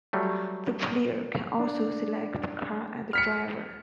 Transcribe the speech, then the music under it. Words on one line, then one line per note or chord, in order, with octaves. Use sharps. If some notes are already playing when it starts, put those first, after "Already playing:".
The player can also select car and driver.
F#3 G3 A3
D4
F6 B6 C#7